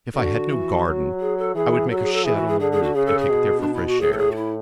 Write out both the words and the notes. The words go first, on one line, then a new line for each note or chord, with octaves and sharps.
If I had no garden, I would make a shed on the roof, and take it there for fresh air.
D3 F#4
E3
F#3
G#4
A4
E3 G#4
F#3 A4
F#4
G#4
A4
E3 G#4
F#4
G#4
D3 G#4
G#4
F#4
C#3 G#4
A4
G#4
B2
D4
E4
F#4
A2 G#4
A4
G#4
F#4
E4